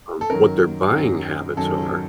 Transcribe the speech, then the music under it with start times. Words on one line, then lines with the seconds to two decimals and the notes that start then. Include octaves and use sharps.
um, what their buying habits are,
0.21 A4
0.30 F#2 D#3 F#3 A#4
0.94 F#2 D#3 F#3
1.57 F#2 D#3 F#3 A4